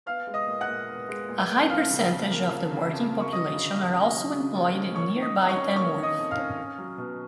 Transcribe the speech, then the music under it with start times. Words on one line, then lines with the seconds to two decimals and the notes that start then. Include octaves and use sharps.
A high percentage of the working population are also employed in nearby Tamworth.
0.06 B3 F5 F6
0.27 G#3
0.34 D#5 D#6
0.47 A#2
0.61 F#5 F#6
0.67 A#2
0.88 B3
1.09 G#3
1.28 A#2
1.49 A#2
1.70 F3 F5 F6
1.91 C#3
2.10 F2
2.30 A#3
2.50 F3
2.71 C#3
2.92 F2
3.13 A#3
3.21 C#6
3.32 F#3 D#5 D#6
3.53 C#3
3.72 D#2
3.93 C#4
4.14 F#3
4.33 C#3
4.55 D#2
4.74 C#4
4.94 A#3 C#5 C#6
5.16 D#3
5.22 D#5 D#6
5.36 F2
5.49 C#5 C#6
5.56 C#4
5.76 A#3 C#5 C#6
5.97 D#3
6.03 D#5 D#6
6.17 F2
6.31 F5 F6
6.38 C#4
6.57 C#4
6.78 F#3
6.98 B2